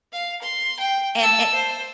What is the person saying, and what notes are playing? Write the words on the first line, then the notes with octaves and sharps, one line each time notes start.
And and
F5
C6
G5
A5 E6
C5